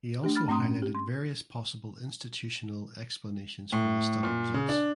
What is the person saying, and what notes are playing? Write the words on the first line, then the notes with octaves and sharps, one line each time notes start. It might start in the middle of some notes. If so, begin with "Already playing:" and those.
He also highlighted various possible institutional explanations for the study results.
A3 D4 G4
B5 F6 A6
G#2 A3 C4 A#5 C6 D#6
C#4
G4
C6
A2
A#2
C#3
D4